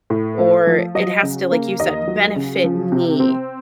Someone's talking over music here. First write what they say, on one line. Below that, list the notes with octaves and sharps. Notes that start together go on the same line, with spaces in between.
or it has to like you said, benefit me.
A2
A3
F3
F#3 D#5
C#3
A#3
D#2 D#5
F#3
C#3
F3
C3
C4